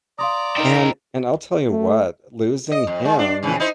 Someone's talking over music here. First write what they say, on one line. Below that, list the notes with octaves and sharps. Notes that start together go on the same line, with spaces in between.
And and I'll tell you what, losing him
D5 F5 A#5 C6 D6 D#6
D#4 E4 A#4 G5
A3
D#5
F2
G#3
D4
F2 C#3 E3
D#4 E4 C5